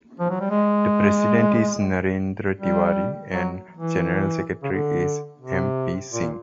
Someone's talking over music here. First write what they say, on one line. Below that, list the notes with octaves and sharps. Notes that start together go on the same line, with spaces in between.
The president is Narendra Tiwari and general secretary is M. P. Singh.
F3
F#3
G3
G#3
G3
F#3
E3
C#3
D3
C3
A#2